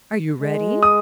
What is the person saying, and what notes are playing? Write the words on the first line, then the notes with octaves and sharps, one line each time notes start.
"Are you ready?"
G#3
D#6